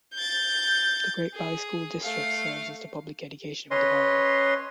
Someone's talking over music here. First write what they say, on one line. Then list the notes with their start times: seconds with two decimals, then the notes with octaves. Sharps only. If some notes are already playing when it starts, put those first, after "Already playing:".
The Great Valley School District serves as the public education for the borough.
0.14 G6 A6
1.35 G#4
2.03 A3 F5
3.71 C#4 B4 C#5 D#5 C6